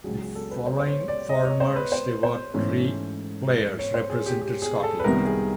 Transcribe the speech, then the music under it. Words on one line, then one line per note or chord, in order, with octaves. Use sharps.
The following former Stewartry players represented Scotland.
C#2 C#3 F#3 G#4
G#4
A4
B4
C5
C5
C#5
D5
D#5
C#5
C5
B4
C5
C5
G#2 E3 A3 C#4
C#5
C5
G#4
G4
G4
G#4
A4
B4
C2 C3 D#3 G3 B3 A#4
G#4